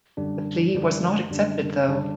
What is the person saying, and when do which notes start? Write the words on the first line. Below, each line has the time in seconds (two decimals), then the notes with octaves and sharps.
The plea was not accepted though.
0.17 F#2 D3 G3 D4
0.74 F#2 D3 G3 D4
1.30 F#2 D3 G3 D4
1.87 F#2 D3 G3 D4